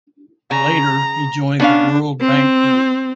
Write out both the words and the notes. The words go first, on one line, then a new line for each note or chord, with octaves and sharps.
Later he joined the World Bank Group.
C#3 A#5
B3 C#4 D4 F5
C4